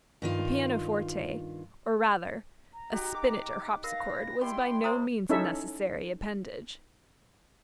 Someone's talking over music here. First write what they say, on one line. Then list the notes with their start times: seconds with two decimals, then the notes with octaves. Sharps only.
A pianoforte, or rather a spinnet or harpsichord, was by no means a necessary appendage.
0.22 G2 D#3 F4
2.73 A#5
2.92 D#3 F#4 G4 F#5
3.15 D6
3.84 A#4 B4 F5 A#6
4.41 G3 E4 G5 C6
4.84 A3 C5 A#5 D#6
5.29 C#4 D#4 E4 A4 E5